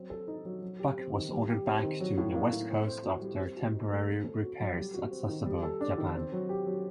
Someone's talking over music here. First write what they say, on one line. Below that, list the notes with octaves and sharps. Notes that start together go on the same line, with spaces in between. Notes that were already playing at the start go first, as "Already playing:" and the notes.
"Buck" was ordered back to the west coast after temporary repairs at Sasebo, Japan.
Already playing: F#3 C4
A4
D#4
F#3
F#3
G4
C4
D#3
G3
G4
C4
D#3
F#3
A2
A#3
A2
C4
C5
F#4
G3
C4
F#4
D#4
A3
C4
A4
F#4
F#3
G3
F#4
C4
D#3
G3
A4
D4
D#3
C4
F#3
G4
F#3